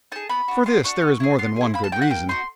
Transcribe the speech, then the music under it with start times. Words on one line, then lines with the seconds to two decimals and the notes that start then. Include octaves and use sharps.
For this there is more than one good reason.
0.12 D#4 G#4 A5
0.29 B3 B5
0.48 D4 F#4
0.66 B3 C6
0.84 D4 F#4 C#6
1.02 B3
1.20 E4 G#4
1.38 B3 C6
1.56 E4 G#4
1.74 A#3 B5
1.84 A5
1.92 D#4 F#4 G5
2.02 F#5
2.10 A#3 G5
2.29 D#4 F#4 C6